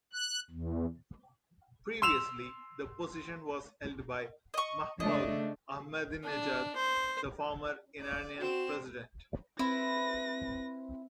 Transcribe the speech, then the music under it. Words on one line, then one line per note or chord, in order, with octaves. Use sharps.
Previously, the position was held by Mahmoud Ahmadinejad, the former Iranian President.
F#6
E2
C6 E6 E7 F7
D#5 C#6
C#3 A3 D4 D#5
D4
C5
D5
C4 F#4 E7
C4 E4 B4 A#6